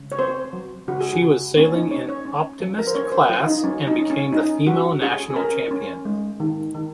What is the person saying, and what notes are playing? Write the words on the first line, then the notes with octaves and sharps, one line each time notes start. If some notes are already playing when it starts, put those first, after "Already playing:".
She was sailing in Optimist class and became the female national champion.
Already playing: C#3
C#5
C4 C5
F#3
C#3 F#4
G#4
F#4
C#3
A#3 C#4
D#4
C#4 C#5
C#5
C#4
F3
A#4
C5
C#4 C#5
C5
F#3 F4
D#4
F#3 C#4
D#4
C#4
C#4
C#4 D#4
F#3 F#4
C#4 G#4
G#4
C#4 A#4
C#4
G#3
D#3
D#3